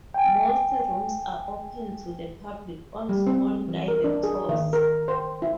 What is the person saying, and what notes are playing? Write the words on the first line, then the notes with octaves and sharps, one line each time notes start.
Most rooms are open to the public on small, guided tours.
G5 G#5
G3
C4
E3
A#4
D4
G#4
D#3
A#4
C5
E4